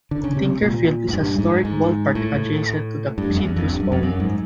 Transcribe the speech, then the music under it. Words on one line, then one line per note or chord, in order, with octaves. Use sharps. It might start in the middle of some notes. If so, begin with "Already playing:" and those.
Tinker Field is a historic ballpark adjacent to the Citrus Bowl.
D3
C#3
C3
A#2
G#2
G2
G#2
G#2
A2
G2
F2
E2
F2
G2
F#2
F2
F#2
G#2